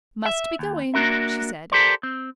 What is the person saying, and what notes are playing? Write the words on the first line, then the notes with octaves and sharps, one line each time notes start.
"Must be going," she said.
E5
D#2
A#3 D4 F#4 A#4 E5
G4 A4 A#4 C5 D5
C4